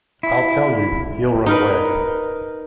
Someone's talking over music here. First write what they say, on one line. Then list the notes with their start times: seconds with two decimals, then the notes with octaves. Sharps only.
I'll tell you, he'll run away.
0.23 E4
1.46 D#4 A#4 B4